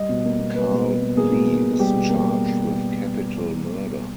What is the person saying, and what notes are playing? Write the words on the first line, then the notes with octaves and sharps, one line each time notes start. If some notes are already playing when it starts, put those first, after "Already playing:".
Carl Lee is charged with capital murder.
Already playing: G3 D#5
B2
A#3
B2
A#3 B4
B2
G3
B2
A#3 G#4
B2
A#3
B2
G3 G4
B2
A#3